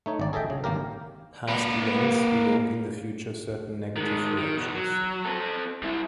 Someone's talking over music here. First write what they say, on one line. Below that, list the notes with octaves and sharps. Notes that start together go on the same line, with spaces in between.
Past events evoke in the future certain negative reactions.
A3 D#4 C#5
G#1 D5
G#4 A4 D#5 E5 G5
C#3
G#1 A#3 G4 A#4
A#3 B4
D#3 G#3
D#3
E2 B2
F#3
C4 A4
G3 E4